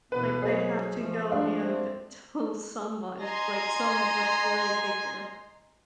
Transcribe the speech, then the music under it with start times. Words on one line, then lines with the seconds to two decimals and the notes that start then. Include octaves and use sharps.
like “I have to go and tell someone, like some authority figure
0.12 B2 E3 B3 B4
0.42 F#3 G#4 A#4 C5 D#5
0.98 F3 A3
1.32 D4 F5
1.61 G#3 C4
3.22 D#5 G#5 A#5 C6